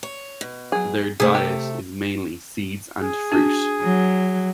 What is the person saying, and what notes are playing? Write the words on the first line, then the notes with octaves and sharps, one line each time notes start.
Their diet is mainly seeds and fruit.
C#5
B2
F#3 G#4
C3 A3 G#4 C5
G4
G#4
D4 F#4
F#3